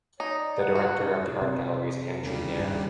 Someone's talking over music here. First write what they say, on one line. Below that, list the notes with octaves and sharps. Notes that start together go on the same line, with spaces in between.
The director of the art gallery is Andrew Nairne.
D#4 C#5
D5
F#5
F#4
C#4
C3
D#2 C#3 G3
G2